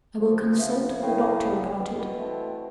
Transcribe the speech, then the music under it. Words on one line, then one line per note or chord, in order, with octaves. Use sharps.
I will consult the doctor about it.
D2 C#3 F3
B4 E5 F5
A2 C#3 F#3 B3 G5
B2
E3 A3 C4